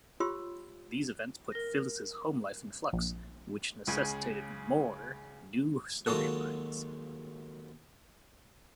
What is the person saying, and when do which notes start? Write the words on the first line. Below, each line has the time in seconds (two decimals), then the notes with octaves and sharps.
These events put Phyllis' home life in flux, which necessitated more new story lines.
0.20 F4 G4 C#5 B5 C6 E6
1.52 A#4 A#6
2.93 A#1
3.87 C#2 C#3 G#5
6.06 D#2 F#3 G#3 F4 F#4 A4